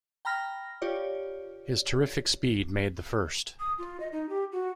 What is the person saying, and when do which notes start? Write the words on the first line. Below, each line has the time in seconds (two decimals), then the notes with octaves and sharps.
His terrific speed made the first.
0.25 G5 A#5 B5 F6 A#6
0.82 F4 G4 C#5 D5
3.59 D#6
3.78 F4
4.00 D#5
4.12 D#4
4.29 G4
4.52 F#4